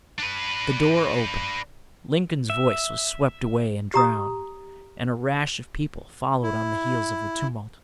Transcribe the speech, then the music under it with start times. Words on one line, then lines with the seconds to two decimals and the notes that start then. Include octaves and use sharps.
The door opened, Lincoln's voice was swept away and drowned, and a rash of people followed on the heels of the tumult.
0.19 D4 B4
2.50 E5
3.94 G4 A#5 D#6
6.43 E4